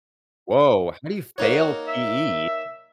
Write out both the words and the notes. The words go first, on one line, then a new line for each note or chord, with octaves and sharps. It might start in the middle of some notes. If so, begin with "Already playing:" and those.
Woah! How do you fail PE?
A#3 D#4 F#4 C#5
E5